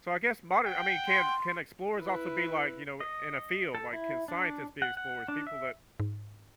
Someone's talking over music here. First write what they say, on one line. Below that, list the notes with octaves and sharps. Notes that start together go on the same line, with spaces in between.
So I guess modern I mean, can can explorers also be like, you know, in a field? Like, can scientists be explorers? People that
F#5 G5
C6
E4 B4
D#5
A4
E4
D4
F#5
F#5
D4
E5
G#2